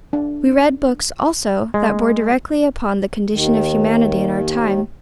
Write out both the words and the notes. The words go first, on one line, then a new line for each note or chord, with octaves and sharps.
We read books, also, that bore directly upon the condition of humanity in our time.
D4
G#3
D#2 D#3